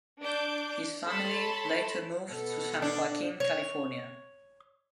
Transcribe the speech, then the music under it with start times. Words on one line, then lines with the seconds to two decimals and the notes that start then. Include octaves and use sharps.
His family later moved to San Joaquin, California.
0.21 D4 D6 G6
1.05 A4 C#5 A5 B5 C6
2.30 B2 B3 A4
2.82 D4
3.40 C#5